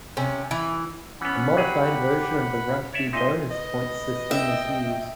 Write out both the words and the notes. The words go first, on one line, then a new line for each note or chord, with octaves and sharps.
A modified version of the rugby bonus points system was used.
C3 C#4
E3
E3 B3 C#4 F#5 B5
F#3 G4 G#4
C#5 D5 E5
A#2 D#4 D#5 E5 C6
B4 D#5
E5 G5